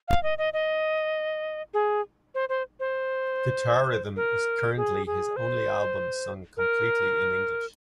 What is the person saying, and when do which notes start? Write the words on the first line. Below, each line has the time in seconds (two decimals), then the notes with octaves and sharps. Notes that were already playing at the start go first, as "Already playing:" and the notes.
"Guitarhythm" is currently his only album sung completely in English.
0.08 F5
0.23 D#5
0.38 D#5
0.53 D#5
1.74 G#4
2.35 C5
2.49 C5
2.80 C5
4.16 A#4
4.77 G#4
5.06 G#4
5.36 C5
6.57 A#4